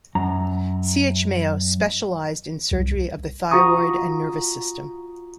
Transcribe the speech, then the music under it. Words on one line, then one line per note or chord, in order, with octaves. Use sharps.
C. H. Mayo specialized in surgery of the thyroid and nervous system.
F#2 A#5
C2
F4 F#4 A#5 C#6 D#6